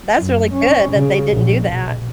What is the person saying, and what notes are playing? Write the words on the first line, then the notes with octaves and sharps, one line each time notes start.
That's really good that they didn't do that.
F#2
C#4
C#3
A#1
B2